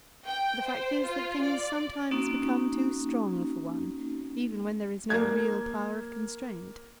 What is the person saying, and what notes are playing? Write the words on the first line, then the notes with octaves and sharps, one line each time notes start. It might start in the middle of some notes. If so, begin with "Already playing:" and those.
The fact is that things sometimes become too strong for one, even when there is no real power of constraint.
G5
C5
F4
D5
A#3 C4 C#4 D#4 F#4
A#3 G#6